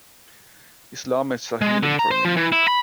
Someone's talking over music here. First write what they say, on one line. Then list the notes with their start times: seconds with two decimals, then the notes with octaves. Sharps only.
Islam is a healing for me.
1.61 G#3
1.83 D3
1.99 A#5
2.11 C5
2.25 F3
2.37 E3
2.52 E4
2.68 B5